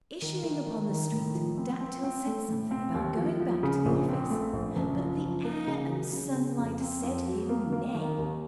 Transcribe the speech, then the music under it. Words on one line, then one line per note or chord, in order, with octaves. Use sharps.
Issuing upon the street, Dactyl said something about going back to the office, but the air and sunlight said him nay.
D#3
D#3
D#3
D#3
A2
F3
C4
C4
C4
A3
A2
C4
D#2
F3
F3
C#3
A#1
C4
A3
A#1
F#1
F3
F3
A#3
C#3
F#3
C#3
C#3
F2
C4
F2
F#3
A#3
A#3
D#3
D#2